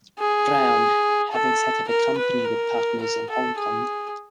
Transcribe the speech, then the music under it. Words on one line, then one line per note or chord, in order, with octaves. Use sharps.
Brown, having set up a company with partners in Hong Kong.
G#4
A4
A#4
B4
A#4
A#4
A4
G#4